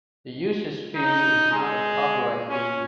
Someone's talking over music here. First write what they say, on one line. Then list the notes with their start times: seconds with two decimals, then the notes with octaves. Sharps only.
The usage fee is not a copyright fee.
0.96 D#4
1.52 G#3
2.49 C#4